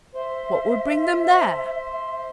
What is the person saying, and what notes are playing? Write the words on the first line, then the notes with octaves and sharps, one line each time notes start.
"What would bring them there?"
C5 E5